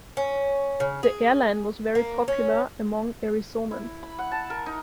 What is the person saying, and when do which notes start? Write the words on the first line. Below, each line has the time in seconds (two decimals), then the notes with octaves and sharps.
The airline was very popular among Arizonans.
0.17 C#4
0.80 C#3
1.03 G#4
1.95 A#3
2.28 C#4
3.71 E4
4.03 B5
4.19 F#5
4.31 A5
4.50 A#4
4.66 D#4